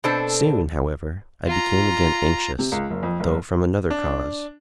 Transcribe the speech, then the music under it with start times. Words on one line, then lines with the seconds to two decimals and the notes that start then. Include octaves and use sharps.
Soon, however, I became again anxious, though from another cause.
0.04 B2 C4 D4 A4 C5 A5
1.46 F4 A#5
2.59 C3
2.72 C#2
2.90 F#1
3.03 F2
3.20 F#1
3.91 D4